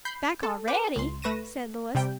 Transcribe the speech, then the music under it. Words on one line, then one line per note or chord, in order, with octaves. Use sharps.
"Back already!" said Louis.
B5 G6 C7
A4
B4 G5 D6
C#2 C6
A3 B4 C#6 A#6 D#7 E7
C3 G3 G5